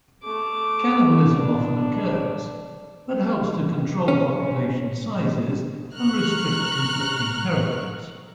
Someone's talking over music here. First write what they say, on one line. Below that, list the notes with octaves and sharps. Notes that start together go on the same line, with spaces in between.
Cannibalism often occurs, but helps to control population sizes and restrict conflicting territories.
A3 D6
D4
C#4
A#5 C#6 F6 F#6